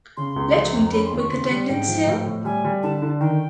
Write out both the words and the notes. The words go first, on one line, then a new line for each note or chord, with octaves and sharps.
Let me take quick attendance here.
C#3 C6
C#2
F3
F2
A#5
C#4 B5
C6
D#2
C#6
C#3 C6
G3
G#2 G5
F3
A2
A2
G3 G#5
G3
D3 A5
D3
D#3 G5